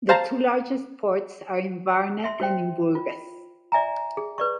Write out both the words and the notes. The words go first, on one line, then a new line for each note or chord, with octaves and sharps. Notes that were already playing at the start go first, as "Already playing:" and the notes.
The two largest ports are in Varna and in Burgas.
C5 F5 A5 A#5
E5 C6
F#4 C5 G5
F4
D5 E5 G#5 A#5
G#4
B4 D5 C#6